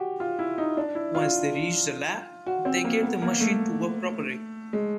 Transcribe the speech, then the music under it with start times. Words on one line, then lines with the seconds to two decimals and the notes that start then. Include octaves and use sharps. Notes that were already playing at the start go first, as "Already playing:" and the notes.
Once they reach the lab, they get the machine to work properly.
Already playing: F#4 G4
0.20 F4
0.39 E4
0.58 D#4
0.77 D4
0.95 E4
1.15 F4
2.46 F#4
2.65 C4
2.84 A#3
3.03 B3
3.22 A#3
3.41 A3
4.73 G#3